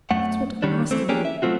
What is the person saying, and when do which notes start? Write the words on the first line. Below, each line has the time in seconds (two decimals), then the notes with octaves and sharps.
That's what I'm asking you!
0.11 F#2 A3 F#5
0.62 D#3 G3 C#4 D4
0.91 E3 A3 C4
1.09 A#3 C#4 D4 G4 G#4
1.25 E5
1.42 F#3 G3 A3 C4 F4 F#4